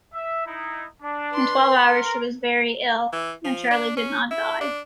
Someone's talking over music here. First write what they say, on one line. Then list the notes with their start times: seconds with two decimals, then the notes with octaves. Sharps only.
In twelve hours she was very ill. And Charley did not die.
0.13 E5
0.46 D#4 E4
1.02 D4
1.32 B4 C6
1.87 A#4
3.13 E3
3.44 F3
3.71 D4
3.97 C#4
4.31 E4
4.61 D4